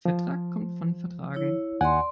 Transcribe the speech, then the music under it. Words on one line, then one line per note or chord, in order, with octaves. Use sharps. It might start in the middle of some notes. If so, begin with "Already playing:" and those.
Vertrag kommt von vertragen.
F3
E4 C#5
D#2 D5 F#5 G#5 C6